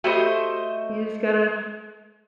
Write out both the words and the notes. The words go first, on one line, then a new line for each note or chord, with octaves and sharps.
you just gotta
A3 F#4 G4 C5 D#5 B5